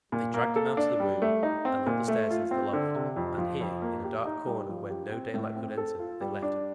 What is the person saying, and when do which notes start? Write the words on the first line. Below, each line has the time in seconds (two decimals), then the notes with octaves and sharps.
But they dragged him out of the room, and up the stairs into the loft: and here, in a dark corner, where no daylight could enter, they left him.
0.12 A#2
0.34 A#3
0.56 A4
0.77 D4
1.00 G3
1.22 A3
1.43 D#4
1.65 C4
1.87 A#2
2.08 A3
2.30 F4
2.51 C4
2.73 D3
2.95 C3
3.16 F2
3.38 F3
3.60 F2
3.82 A#3
4.04 G4
4.25 D#4
4.47 G3
4.69 F3
4.90 G4
5.12 C4
5.34 A2
5.56 C4
5.77 A4
5.99 F4
6.21 G3
6.42 D4